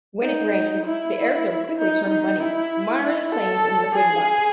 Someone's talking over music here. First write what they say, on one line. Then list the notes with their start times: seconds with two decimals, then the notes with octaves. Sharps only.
When it rained, the airfield quickly turned muddy, miring planes in liquid muck.
0.23 D#4
0.86 E4
1.78 D#4
2.09 D#4
2.39 E4
3.02 E4
3.32 A4
3.94 G#4